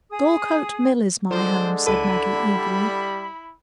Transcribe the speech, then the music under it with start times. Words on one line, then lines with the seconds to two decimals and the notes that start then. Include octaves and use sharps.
"Dorlcote Mill is my home," said Maggie, eagerly.
0.10 G#4 D#6
1.31 D3 F3 G#3 C4 D4 C5
1.86 C#2 E4 A4 B5 D#7
2.36 G3